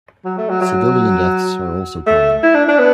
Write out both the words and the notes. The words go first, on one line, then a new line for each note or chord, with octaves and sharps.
Civilian deaths are also common.
F#3
A3
F#3
F#3
A3
E4
D4
D4
B3